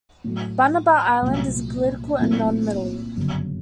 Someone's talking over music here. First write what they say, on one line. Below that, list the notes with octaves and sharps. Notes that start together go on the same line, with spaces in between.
Banaba Island is a political anomaly.
A2 F#3 A3
C2 A#2 F#3 A3
A#2 F#3 A3 C4 E4
G1 F#2 C#3